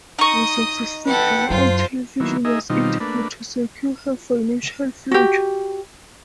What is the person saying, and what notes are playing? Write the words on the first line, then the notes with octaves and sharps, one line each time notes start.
A successful run on television was intended to secure her financial future.
D#4 D#5 C#6 D#6
A4 B4 F#5 G5
F#2 F4 C5
D#3 F#3 A#3 B3 E4
A#3 D#4 G#4 D#5 E5
B2 D#3 G3 C4 D#4 F4
A3 A#3 D4 B4
F#4 G4